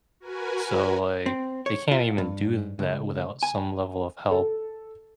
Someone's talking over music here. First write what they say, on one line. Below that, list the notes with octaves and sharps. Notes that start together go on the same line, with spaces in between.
so, like, they can't even do that without some level of help.
F#4 A#4 B4 G#5
C4
C#5
F4
G2
C#2
G#5
A4